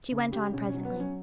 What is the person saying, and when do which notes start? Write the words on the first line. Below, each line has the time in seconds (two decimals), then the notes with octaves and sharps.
She went on presently.
0.12 C#3
0.32 C#3 G4
0.53 B2 C#4
0.69 C#4
0.74 F#3
0.85 B3
0.95 F#3
1.00 C#4